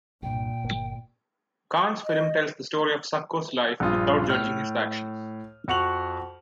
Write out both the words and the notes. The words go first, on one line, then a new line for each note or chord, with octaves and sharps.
Kahn's film tells the story of Succo's life without judging his actions.
C2 G2 A#2 G5
G1 A#3
D#5
A#1 G2 F4 D#6
A2 F6
F2 F#4 C#6 F7 F#7